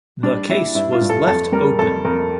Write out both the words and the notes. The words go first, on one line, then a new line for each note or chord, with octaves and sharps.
The case was left open.
G3 D4
G3 E4
G2 E4
F4
G2
A4
F2 A4
G3 A#4
F2 A4
F2 A#4